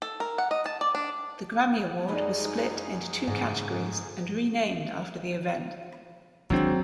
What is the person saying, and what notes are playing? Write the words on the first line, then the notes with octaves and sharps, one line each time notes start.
The Grammy award was split into two categories and renamed after the event.
A4
A#4
F#5
D#5
A5
D5
D4
F#2 G#3 D#4 G#4 A#4 B4 D5
G#2 C#3 E3
G#1 G#2 F#3 C4 D4